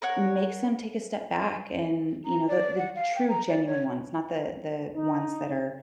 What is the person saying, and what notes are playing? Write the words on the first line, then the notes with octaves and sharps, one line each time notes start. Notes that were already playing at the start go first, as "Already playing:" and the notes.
makes them take a step back and, you know, the the true genuine ones, not the the ones that are
A#4 C#5 F#5
A#5
D5
F#5
F5
G5
A#5
D5
C#5
D#4